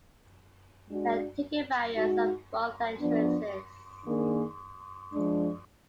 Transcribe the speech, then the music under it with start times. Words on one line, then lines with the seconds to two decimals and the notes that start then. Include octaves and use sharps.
There are ticket barriers at both entrances.
0.88 G#3 D4 F#4
1.95 G#3 D#4 F#4
3.01 F3 B3 D4
4.07 D#3 A#3 D4 G#4
5.13 F3 G#3 D4